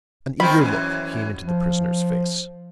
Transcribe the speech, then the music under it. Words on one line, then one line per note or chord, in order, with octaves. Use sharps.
An eager look came into the prisoner's face.
D#3 C4 E4 B5
F#2 E3
F3